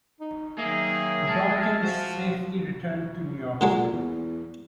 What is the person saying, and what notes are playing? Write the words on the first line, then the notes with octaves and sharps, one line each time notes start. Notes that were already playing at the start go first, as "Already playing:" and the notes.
The "Tonquin" safely returned to New York City.
D#4
D#3 F#3 A#3 D#4 G#4 E5
G#3 A5 F6
F#4 C5 F5
A#2 D3 F#3 G#3
E2